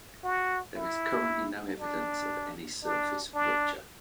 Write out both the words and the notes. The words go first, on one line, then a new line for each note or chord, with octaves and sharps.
There is currently no evidence of any surface rupture.
F#4
E4
D4
D4
D4